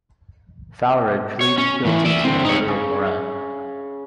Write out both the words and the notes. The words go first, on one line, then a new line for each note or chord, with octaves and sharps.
Faure pleaded guilty to the murder of Moran.
C#5
C#4
A2 E3
D5 E5
D3 C4
D#4 C#5
C#3